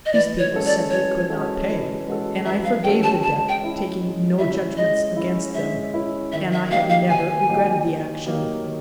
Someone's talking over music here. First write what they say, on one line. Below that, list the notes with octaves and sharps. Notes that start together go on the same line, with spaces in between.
These people simply could not pay, and I forgave the debt, taking no judgments against them, and I have never regretted the action.
D#5
E3 D5
C#5
G#3 C#4 F#4 A4
D5
E3 C#5
G#3 C#4 F#4 A4
E3
G#3 C#4 F#4 A4
E3 E5
F5
G#3 C#4 F#4 A4 G5
A5
G#3 A5
G5
C#4 E4
G#3
C#4 E4 E5
G#3 D#5
C#4 E4
G#3 E5
C#4 E4
D#3 E5
E5
F#3 A#3 D#4 G4 F5
F5
D#3 G#5
F#3 A#3 D#4 G4
D#3
F#3 A#3 D#4 G4
D#3